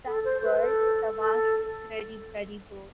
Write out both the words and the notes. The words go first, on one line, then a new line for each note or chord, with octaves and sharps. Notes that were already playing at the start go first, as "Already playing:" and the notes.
That world is a vastly cruddy, bloody bore!
A4
C5
B4
A4
A4